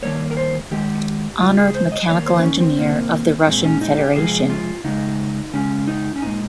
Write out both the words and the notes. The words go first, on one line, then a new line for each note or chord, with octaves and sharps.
Honored Mechanical Engineer of the Russian Federation.
D#3 G3 A#3 C#5
A#4
C5
D#3 G#3 G4
C#3 G#3 F4
G#4
C5
D#5
D#3 G3 A#3 C#5
C5
C4
C#4
C4
C3 D#3 A#3
A#2 G#3 C4
C#4
D#4
G4
C3 F3 G#3 G#4
F4
C#3 G#3 D#4
C#3 G#3 C#4
D#4
C#4
A#2 G#3 D#4